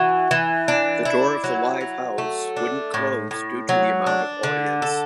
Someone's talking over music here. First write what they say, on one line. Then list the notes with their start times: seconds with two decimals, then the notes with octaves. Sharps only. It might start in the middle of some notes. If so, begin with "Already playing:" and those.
The door of the live house wouldn't close due to the amount of audience.
Already playing: E3 F#4
0.31 E3
0.68 D4
1.05 E4
1.44 F#3
1.81 F#3
2.18 A3
2.56 D4
2.94 A2
3.31 A2
3.69 F#3
4.06 D4
4.43 D3
4.82 A4